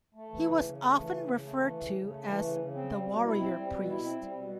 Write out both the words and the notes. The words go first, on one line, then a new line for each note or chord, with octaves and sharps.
He was often referred to as "the warrior-priest".
A3
E3
C#3
C#3
A3
E3
C#3
C#3
A3
E3
C#3
C#3
A3
E3
C#3
C#3
C4
G3
B2
E4
C4
G3
B2
E4
C4
G3
B2